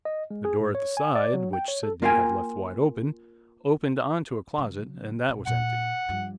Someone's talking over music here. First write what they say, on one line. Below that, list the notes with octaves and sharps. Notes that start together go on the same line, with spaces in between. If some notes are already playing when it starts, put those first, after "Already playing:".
The door at the side, which Sydney had left wide open, opened on to a closet, and that was empty.
D#5
G#3
G#4
A2
C#5
G#5
D5
F#3
G5
C#5
A4
A#3 F4 A#4 F5 G5 G#5
C#3 F#3
E1 E4
A#2 F#5
G2 F3